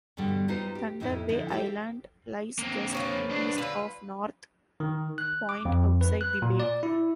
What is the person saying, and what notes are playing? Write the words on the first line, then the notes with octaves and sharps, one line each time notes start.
Thunder Bay Island lies just east of North Point outside the bay.
E2 G2 B2 D3 G3
G3 D#4 F4 B4 C5
G4
F2 A2 C#4 D#4 E4
D3 F3 D#4 E4
G4 A4 C5 D5 F5 G5
A#3 C4
C#3 F3 B4
C2 D4
D3 F4 B4
D#3
F#6
D6
F2
B4
F#6
A#2
D5
E4